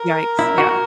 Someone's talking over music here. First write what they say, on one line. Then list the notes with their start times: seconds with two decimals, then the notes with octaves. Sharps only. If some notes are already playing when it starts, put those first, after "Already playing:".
Yikes, yeah.
Already playing: A#4
0.39 E4
0.58 F#4